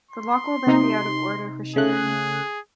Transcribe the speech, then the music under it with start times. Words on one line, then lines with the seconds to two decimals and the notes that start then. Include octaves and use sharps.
The lock will then be out of order for shipping.
0.11 C6
0.67 C3 D#4
1.76 C#3 A3 G#4 F#6